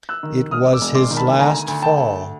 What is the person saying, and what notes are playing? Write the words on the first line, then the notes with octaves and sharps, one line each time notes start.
It was his last fall.
E6 F#6
D#3
E1 D#6 F6
D6 E6
E1
C6 D6
D#3
A5 B5
D2 G#5 A#5
D2
G5 A5
D2